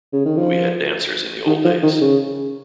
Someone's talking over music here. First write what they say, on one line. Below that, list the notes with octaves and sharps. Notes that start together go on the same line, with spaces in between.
We had dancers in the old days.
C#3
D#3
F3
D#3
F3
D#3
C#3